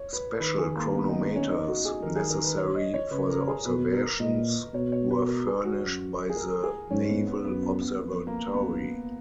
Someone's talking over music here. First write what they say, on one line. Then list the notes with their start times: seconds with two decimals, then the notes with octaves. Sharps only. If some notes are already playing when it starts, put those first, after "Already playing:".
Special chronometers necessary for the observations were furnished by the Naval Observatory.
Already playing: C#5
0.13 B4
0.40 D#3 B4
0.59 G#4
0.76 A#3
0.94 B3
1.09 D#4
1.21 D#4
1.36 C#4
1.49 D#4
1.67 F#4
1.85 G#4
2.03 D#3 A#4
2.16 G#4
2.30 A#4
2.44 B4
2.58 C#5
2.75 D#5
2.94 C#5
3.11 C#3 B4
3.30 A#4
3.48 G#4
3.65 B2 B4
3.93 A#4
4.20 A#2 D#5
4.74 B2 C#5
4.92 C#5
5.10 B4
5.29 A#4
5.47 G#4
5.64 F#4
5.83 F#2
6.30 G#4
6.36 A#4
6.63 G#4
6.91 G#2 C#4
7.09 B3
7.27 B3
7.45 F#2 B3
7.63 B3
7.81 B3
7.99 F2 B3
8.27 A#3
8.54 F#2 B3